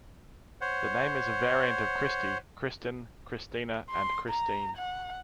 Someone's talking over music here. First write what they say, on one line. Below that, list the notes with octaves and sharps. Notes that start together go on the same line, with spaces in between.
The name is a variant of Kristi, Kristin, Kristina, and Kristine.
C5 C#5 F#5
C6
A#5
F#5